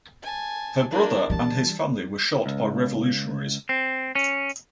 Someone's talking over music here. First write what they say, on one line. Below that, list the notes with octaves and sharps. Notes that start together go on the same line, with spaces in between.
Her brother and his family were shot by revolutionaries.
G#5 A5
A#3 D4
E3 G3 A5
C#2
C4
C#4